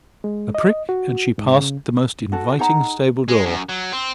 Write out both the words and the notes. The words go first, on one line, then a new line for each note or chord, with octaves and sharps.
A prick, and she passed the most inviting stable-door.
G#3
D#5
F#4
G#2
C#3
F#4 A4
D#4 G#4 F#5 A#5
G#3
F#2
F#3
C4